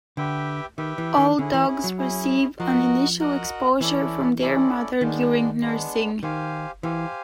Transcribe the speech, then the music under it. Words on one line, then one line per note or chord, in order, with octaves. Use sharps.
All dogs receive an initial exposure from their mother during nursing.
D3 G4 B4 E5 G5
D#3 G4 B4 E5 G5
E3
D#3
D3 C#4 E4 G#4
E3
F#3
C#4 E4 G#4
F3 F#4 A#4 D#5 F#5
F#4 A#4 D#5 F#5
E3 C#4 E4 A4 D5
C#4 E4 A4 D5
D#3 G#3 B3 D4
G#3 B3 D4
D#3 G4 C5 F5 G#5
E3 G4 C5 F5 G#5